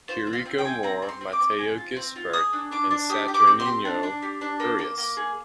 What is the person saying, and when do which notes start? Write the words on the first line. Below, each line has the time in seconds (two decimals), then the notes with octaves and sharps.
Quirico More, Mateo Gisbert, and Saturnino Urius.
0.08 F4 C5
0.27 C4
0.33 F5
0.46 C4
0.58 G5
0.65 G#4
0.83 C4 A#5
1.02 C4
1.09 C6
1.21 C4
1.33 D6
1.40 C4
1.59 G#4
1.78 F4
1.97 C4
2.16 F4
2.33 G#4 D#6
2.53 D4
2.71 D4 D6
2.91 D4
3.10 G4 D#6
3.28 G4
3.34 D6
3.47 C4
3.60 C6
3.66 G4
3.85 D4
4.03 D4
4.22 G4
4.41 D4
4.60 A#3
4.79 A#3
4.98 A#3
5.17 G#4